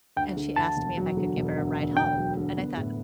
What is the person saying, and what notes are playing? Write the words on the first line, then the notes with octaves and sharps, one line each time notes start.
and she asked me if I could give her a ride home, and I thought,
D2 G5
D3
D2 A5
E1
F#3
D3
E1
D2
D2
D2 G5
F#3
D3
B3
A2